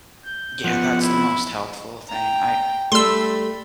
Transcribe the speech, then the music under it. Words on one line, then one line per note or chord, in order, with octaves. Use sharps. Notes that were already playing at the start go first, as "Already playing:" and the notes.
Yeah, that's the most helpful thing. I
G6
F3 B3 F#5
E4
G5 A#5
G3 A3 D4 B5 C6 E6